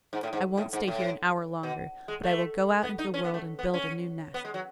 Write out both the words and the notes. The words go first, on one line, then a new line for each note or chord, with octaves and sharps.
I won't stay here an hour longer, but I will go out into the world and build a new nest.
G#2
A2
G#2
A2
G#2
A2
B2
G#3
A3
B3
D#4
C#4
B3
A3
B3
C#4
B3
G#3
F#3